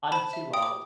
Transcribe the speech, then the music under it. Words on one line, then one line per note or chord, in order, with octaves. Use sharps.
I'm too old.
C5 A5 B5
E5
G5 D#6
D6